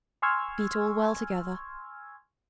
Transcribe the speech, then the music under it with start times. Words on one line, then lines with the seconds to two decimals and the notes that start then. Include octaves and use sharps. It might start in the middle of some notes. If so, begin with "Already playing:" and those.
Beat all well together.
0.22 G#5 C6 C#6 E6 F6 G#6